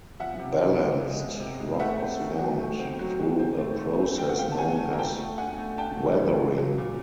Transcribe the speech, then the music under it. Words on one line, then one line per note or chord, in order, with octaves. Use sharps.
Balanced rock was formed through a process known as weathering.
F3 E5 F#5
C3
C3
F3
G#3
G#3
C3
G#3
A3 E5 F#5
C4
D#3
F#3
A3
C4
F#3
D#3
C4
A3
A3
C4
A3 G5
F#5
F3 F5 G5
A5
C4 F#5 G#5
A3
A#5
F4 G5 A5
A3
D4 F#5 G#5
A3
D4 G5 A5
A3
E3
F4
F#3
A#2